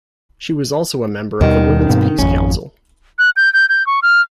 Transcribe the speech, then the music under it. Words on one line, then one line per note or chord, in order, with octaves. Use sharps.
She was also a member of the Women's Peace Council.
D#2 B2 D#3 G3
G2 B2 C4
G#1 F2 C#4
F#6
G6
G6
G6
C#6
F6